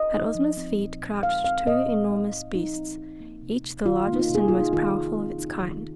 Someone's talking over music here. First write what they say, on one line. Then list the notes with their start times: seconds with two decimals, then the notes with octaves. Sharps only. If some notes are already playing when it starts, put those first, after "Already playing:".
At Ozma's feet crouched two enormous beasts, each the largest and most powerful of its kind.
Already playing: D#5
0.14 D#4
0.35 F3
0.57 C4
0.80 A#2
1.01 A#2
1.23 G#3 F5
1.45 C4 F5
1.67 A#2 D#5
1.88 C4
2.11 D#4
2.33 A#2
2.55 F3 D#4
2.76 C4
2.98 D#4
3.20 A#3
3.42 C3
3.64 C3
3.86 D#3 F4
4.07 A#3
4.13 D#4
4.19 F4
4.29 C3
4.35 G#4
4.48 D#4 F4
4.60 D#4
4.73 D#3 F4
4.95 D#3
5.17 C4
5.38 D#4
5.62 D#3